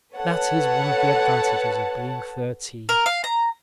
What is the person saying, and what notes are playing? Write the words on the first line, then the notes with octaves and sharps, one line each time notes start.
That is one of the advantages of being thirteen.
A4 B4 C#5 F#5 A5
A#4
F5
A#5